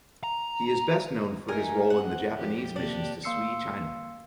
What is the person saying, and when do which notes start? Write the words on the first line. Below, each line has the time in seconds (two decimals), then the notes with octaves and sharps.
He is best known for his role in the Japanese missions to Sui China.
0.24 A#5
1.48 A3 D#4 A#4 G#5
1.90 C4 F#5
2.36 F2 G4
2.76 C3 A#3 D4 G4
3.24 A#3 C6 E6 C7 C#7